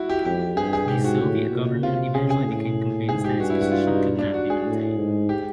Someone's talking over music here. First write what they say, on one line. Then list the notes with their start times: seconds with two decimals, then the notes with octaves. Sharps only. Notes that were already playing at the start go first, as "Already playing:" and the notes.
The Soviet Government eventually became convinced that its position could not be maintained.
Already playing: E4 F#4
0.09 G4
0.25 F2 G4
0.57 G2 G#4
0.73 G#4
0.88 G#2 G4
1.04 F#4
1.20 A2
1.51 A#2
1.82 C3 F4
2.14 C#3 G#4
2.30 G#4
2.45 A2
3.09 G#2 G#4
3.24 G4
3.40 G2 F#4
3.50 E4
3.61 F#4
3.72 F4
3.87 D#4
4.19 D4
4.34 F#4
4.50 G#4
4.66 A2
4.97 G#2
5.29 G4